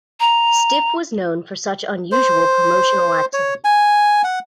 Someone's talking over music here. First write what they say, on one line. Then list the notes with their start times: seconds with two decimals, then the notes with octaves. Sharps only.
Stiff was known for such unusual promotional activity.
0.20 A#5
2.12 C5
3.33 C#5
3.64 G#5
4.24 F#5